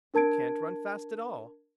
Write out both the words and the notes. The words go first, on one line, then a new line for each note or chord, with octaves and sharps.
You can't run fast at all.
D4 A#4 A5 G#6 D7